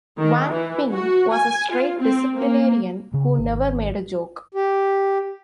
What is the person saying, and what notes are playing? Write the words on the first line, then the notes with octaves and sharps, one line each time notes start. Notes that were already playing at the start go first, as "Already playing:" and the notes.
Wang Ping was a straight disciplinarian, who never made a joke.
D#3
E3
F#4
G#5
F4
C4
A#3
C#3
G#1
G4